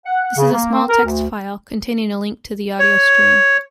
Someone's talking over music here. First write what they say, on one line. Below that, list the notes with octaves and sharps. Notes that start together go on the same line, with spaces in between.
This is a small text file containing a link to the audio stream.
F#5
F#5
C#3
A#3
C4
A#4
D2
C#5